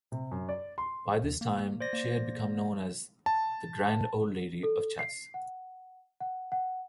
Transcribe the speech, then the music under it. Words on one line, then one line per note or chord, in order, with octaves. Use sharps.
By this time she had become known as the "Grand Old Lady of Chess".
C3
F#2
D5
C6
D#2
A#3
C5 D5 A#6
A#3
A5
A4
C7
F#5
F#5
F#5